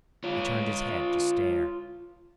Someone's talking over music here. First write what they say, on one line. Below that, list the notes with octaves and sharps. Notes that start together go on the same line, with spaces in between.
He turned his head to stare.
F4 C#5